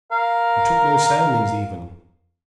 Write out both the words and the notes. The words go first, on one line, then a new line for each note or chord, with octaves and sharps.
You took no soundings even.
A#4 F5